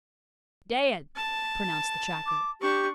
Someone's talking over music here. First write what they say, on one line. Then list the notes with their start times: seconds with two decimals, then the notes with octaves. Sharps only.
"Dead!" pronounced the tracker.
1.16 A5
2.26 D6
2.61 D4 G4 C#6